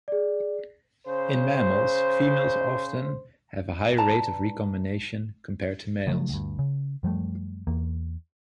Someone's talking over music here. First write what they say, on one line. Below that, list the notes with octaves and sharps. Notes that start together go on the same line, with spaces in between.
In mammals, females often have a higher rate of recombination compared to males.
G#4 D5
C#3 C5
B4 D5 A5 A#5
C#3 F3 F#3 A3
D2 G2
C#3
F#2 F3 G3 A3
E2 A#3